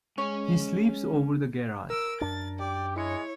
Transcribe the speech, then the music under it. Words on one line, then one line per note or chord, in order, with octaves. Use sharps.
He sleeps over the garage.
G#3 C#4 C#5 G#5
A#4 E6 D7
F#2 D4 A6
G4 D5
G#3 E4 C#5 C#7